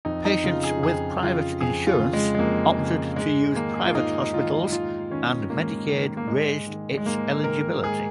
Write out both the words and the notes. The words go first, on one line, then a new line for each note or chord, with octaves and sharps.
Patients with private insurance opted to use private hospitals and Medicaid raised its eligibility.
F2 D#4
D#4
C#3 F4
G#4
F2 G#4
C#3 F4
F2 G#4
F4
C#3
G#3
G#3
F2 A#3
C#3
G#2 G#3
D#3 A#3
G#4
F4
G#2 D#4
D#3 F4
G#2 F4
D#3 C#4
G#2 A#3
D#3
A#3
G#2 G#3
D#3
G#3
G#2 A#3
D#3 A#4
G#2 G#4